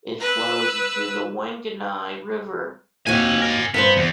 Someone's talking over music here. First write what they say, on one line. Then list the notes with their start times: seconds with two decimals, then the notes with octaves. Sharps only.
It flows into the Wanganui River.
0.21 B4 E6
3.07 D#2 C4 F#4 F#5 G#5
3.42 A#4 G#5
3.74 G2 B3 A#4 C5
3.97 E2